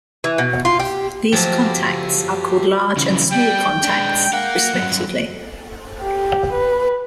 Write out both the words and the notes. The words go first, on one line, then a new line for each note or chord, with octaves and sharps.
These contacts are called large and small contacts, respectively.
E3
B2
F4
G4
F3 F#3 G4 A4
C#3 E3
G3 G5
G#3 D4
A#4 F5 F#5
G2 F#3
G4
B4